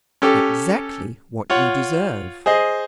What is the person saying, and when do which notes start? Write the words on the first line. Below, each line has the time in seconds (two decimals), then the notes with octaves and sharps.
Exactly what you deserve.
0.22 C#4 G4 A4
1.50 F4 C#5 F#5
2.46 G#4 C5 D#5